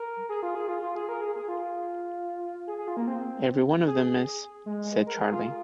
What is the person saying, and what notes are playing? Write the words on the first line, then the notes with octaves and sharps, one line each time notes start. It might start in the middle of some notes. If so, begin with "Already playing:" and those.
"Every one of them, miss," said Charley.
Already playing: A#4
G#4
F4
G#4
F4
F4
G#4
A#4
G#4
G#4
F4
G#4
G#4
F4
A#3
C4
G#4
G#3
A#4
G#4
F4